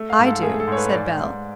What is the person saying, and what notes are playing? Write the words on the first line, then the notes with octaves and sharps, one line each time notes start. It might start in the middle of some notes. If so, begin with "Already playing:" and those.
"I do," said Bell.
Already playing: A3
F5
G#2
A4
A3 G#4
A4
G#2 C#5
B4
G#2 D5
G#2